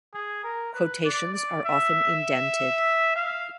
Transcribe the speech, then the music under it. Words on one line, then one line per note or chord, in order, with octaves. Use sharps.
Quotations are often indented.
G#4
A#4
B4
D5
D5
E5
F5